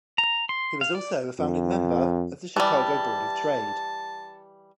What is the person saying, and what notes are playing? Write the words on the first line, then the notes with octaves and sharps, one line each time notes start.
He was also a founding member of the Chicago Board of Trade.
A#5
C6
F5
D5
F2
E3 G3 A5